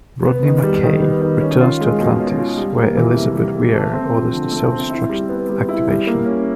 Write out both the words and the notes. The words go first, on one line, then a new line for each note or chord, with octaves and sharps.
Rodney McKay returns to Atlantis, where Elizabeth Weir orders the self-destruct activation.
B3
D#3
G3
D#3
B3
D#3
C#4
F4
G#3
B2
C#4
F4
G3
A#3
E3
C3
G3
A#3
A3
C4
F3
D3
A3
C4
E4
G3
B3
G3
E4
G3
A#3
C#4